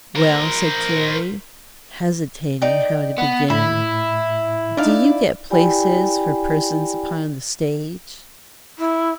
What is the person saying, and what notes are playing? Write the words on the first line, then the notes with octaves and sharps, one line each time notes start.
"Well," said Carrie, hesitating how to begin, "do you get places for persons upon the stage?"
A#4 C5
D#4 D5 G5
B3
A2 E4 B5
D4 D#4 D5 F5
E4 G4 D5 G5 G#5 B5
E4